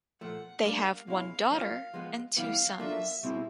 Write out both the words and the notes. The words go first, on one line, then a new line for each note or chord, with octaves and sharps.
They have one daughter and two sons.
A#2 F3 A3 F#5
G3 A#3 D4 F5
B2 G#3 C#4 E4 F5
F#3 A#3 C#4 F4 F5
F3 G#3 B3
E3 G3 B3 E4 G4 F5
F#3 A#3 D4 F4 A4 E5
B2 G3 C4 E4 G#4